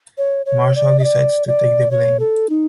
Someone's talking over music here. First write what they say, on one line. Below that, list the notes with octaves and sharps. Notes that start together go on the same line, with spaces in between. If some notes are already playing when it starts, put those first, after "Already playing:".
Marshall decides to take the blame.
C#5
C#5
D5
D#5
D5
D5
C#5
A4
D#4